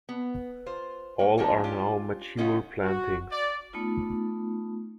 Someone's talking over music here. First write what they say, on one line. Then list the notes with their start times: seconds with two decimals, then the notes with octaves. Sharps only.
All are now mature plantings.
0.09 B3
0.66 F4 C5
1.19 A#2 C#5
1.38 F3 A3 A#3 D4 F4 C#5
1.64 C#4 F4 G4
2.37 C#3 A3 C#4 D#4 F4 F#4
2.83 F#4
3.31 D5
3.73 A3 B3 D#4 F4